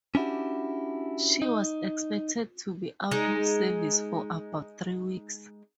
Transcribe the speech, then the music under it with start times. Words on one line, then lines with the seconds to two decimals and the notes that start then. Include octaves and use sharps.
She was expected to be out of service for about three weeks.
0.15 C#4 D4 E4 F#4 G4
1.42 D#4
3.11 G#3 D#4